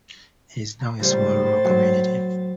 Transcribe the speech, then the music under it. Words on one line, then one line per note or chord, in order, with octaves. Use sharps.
It is now a small rural community.
C#2 A2 G3 C5 A6
F#3